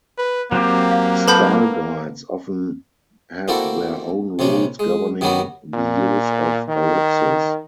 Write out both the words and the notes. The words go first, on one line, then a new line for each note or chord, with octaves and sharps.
Style guides often have their own rules governing the use of ellipses.
B4
F#3 A#3 C4 G4
F5
A4 B4 F#5 A5 B5 G6
A#3 C4 D4 E4 F#4 A4
A#1 C3 C#4 D4
G#3
G2 D#3 G3 B3 C#4 F#4
A#2
D#3